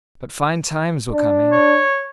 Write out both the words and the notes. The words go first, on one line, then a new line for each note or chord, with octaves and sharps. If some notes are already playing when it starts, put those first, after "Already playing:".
But fine times were coming.
D4
C#5